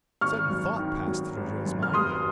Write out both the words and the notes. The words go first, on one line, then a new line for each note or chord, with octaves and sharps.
A sudden thought passed through Joe's mind.
G#1 C#6 F6
F#2
D#3
F#3
G#1
F#2
F6
F1 C6 D#6